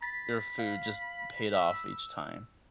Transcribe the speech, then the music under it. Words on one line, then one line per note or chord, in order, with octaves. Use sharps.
your food just paid off each time.
B5 A6 B6
F5
E6